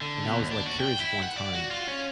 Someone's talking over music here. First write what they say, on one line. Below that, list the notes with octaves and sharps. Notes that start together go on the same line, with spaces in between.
and, I was, like, curious one time,
D3
B2
D#2
D4
F#4
G5
E4
F#5
D5
F#4
F4
C#4